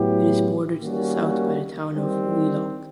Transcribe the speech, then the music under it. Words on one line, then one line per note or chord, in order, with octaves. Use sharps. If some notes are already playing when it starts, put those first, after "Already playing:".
It is bordered to the south by the town of Wheelock.
Already playing: A2 F#3 B3 E4 G4
D#3 G3 A#3 C#4 F#4
D#3 G3 C4